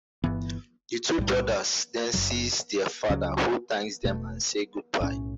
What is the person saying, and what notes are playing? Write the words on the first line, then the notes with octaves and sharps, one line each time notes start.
The two brothers then sees their father who thanks them and say goodbye.
G1 G2 E3 B3
B1 A2 G3
F#1 F#2 C#3 F#3
C#2 C#3 F#3 C#4
E1 E2 B2 A3
B1 A2 G3 C#4